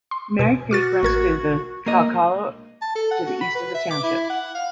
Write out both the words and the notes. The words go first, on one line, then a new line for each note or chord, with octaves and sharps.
Merri Creek runs through Kalkallo to the east of the township.
C6
B2 G#5
F#4 D6 F6 A6
A1 A#4 G#6
A#3 D#5
A5
A4
F#5
F#4
B5
B4
E5
D6
E4
F#5
F5